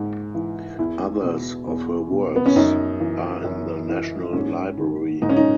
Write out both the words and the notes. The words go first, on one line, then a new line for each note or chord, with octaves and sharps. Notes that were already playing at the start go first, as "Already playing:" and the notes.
Others of her works are in the National Library.
Already playing: G#2
E3
E2 E4
B2
E2
B2
B3
C#4
F#2 D#4
E3
F#2
E3
G#2 C#4
D#3
G#2 D#4
C#4
D#4